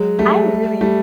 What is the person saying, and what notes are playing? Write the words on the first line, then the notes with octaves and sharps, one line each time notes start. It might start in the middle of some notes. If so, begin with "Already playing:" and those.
I really
Already playing: F#3 G#3
G3 A3
G3 A3